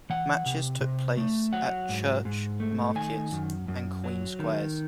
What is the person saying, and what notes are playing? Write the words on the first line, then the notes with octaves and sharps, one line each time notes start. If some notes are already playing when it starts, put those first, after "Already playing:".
Matches took place at Church-, Market and Queen Squares.
E3 F#5
C3
C3
A3
F#3 F#5
G#2
G#2
A3
D#3 G#5
F#2
F#2
F#3
D#3